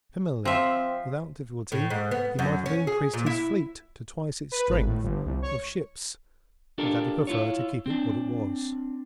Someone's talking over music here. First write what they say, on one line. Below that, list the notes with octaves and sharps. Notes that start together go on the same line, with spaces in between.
Similarly without difficulty he might have increased his fleet to twice its strength of ships but that he preferred to keep it what it was.
F3 C4 E5
A2
G#2
B3
F#2
C#4
G#4
A#2
E4
B4
G#1
A2
G1
C2
C#5
D4 F4 G4 A4 A#4
E4 F4 C#5
C4 D4